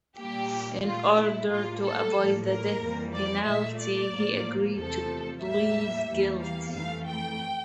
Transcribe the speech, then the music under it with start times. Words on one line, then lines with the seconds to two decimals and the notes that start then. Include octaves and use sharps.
In order to avoid the death penalty, he agreed to plead guilty.
0.18 A#2 G3 A#3 G4
0.84 A#2 A3 F4
1.17 E4
1.49 A2 G3 A#3 F4
1.82 A4
2.15 A2 F3 A#3
2.48 A#4
2.81 F2 E3 G3 A#3
3.14 D5
3.46 A#2 A3 E5
3.79 D5
4.12 A2 F3 A#3
4.77 E2 C3 F3 A3 A4
5.43 A2 G3 A#3 E5
6.09 E2 E3 G3 A#3
6.41 F5
6.74 F2 E3 A3 F5
7.07 G5